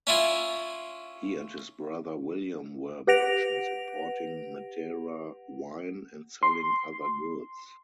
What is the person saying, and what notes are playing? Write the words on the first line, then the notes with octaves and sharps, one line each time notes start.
He and his brother William were merchants importing Madeira wine and selling other goods.
C#4 E4 F4
G4 B4 F#5 A#6 D7 F7
C6